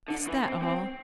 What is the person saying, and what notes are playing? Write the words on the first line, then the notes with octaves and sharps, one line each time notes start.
"Is that all!"
D3
E3
C4
C4